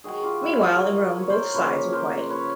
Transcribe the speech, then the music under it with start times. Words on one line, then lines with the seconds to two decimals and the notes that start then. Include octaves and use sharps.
Meanwhile, in Rome both sides were quiet.
0.04 D#3 G#3 F#4 G#4
0.24 F4 G4
0.42 E4 F#4
0.61 G#4 A#4
0.80 G#4 A#4
1.19 C#5
1.30 A#4 C5
1.55 C#3 F3 A#3 B4 C#5
1.93 A#4 C5
2.30 B4 C#5